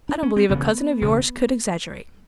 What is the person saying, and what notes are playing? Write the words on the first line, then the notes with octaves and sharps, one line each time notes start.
I don't believe a cousin of yours could exaggerate.'
D4
C#4
C4
E1 D2 C#3 B3
E1 D2 C#3